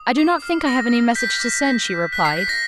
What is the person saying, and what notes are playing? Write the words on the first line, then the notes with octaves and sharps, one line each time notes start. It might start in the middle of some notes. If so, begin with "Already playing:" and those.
"I do not think I have any message to send," she replied.
Already playing: D#6
D6 C7
F6
D6 A#6
F6
G6 B6
D6
G6
G6
F#6 B6
C7
F#6 B6
A#6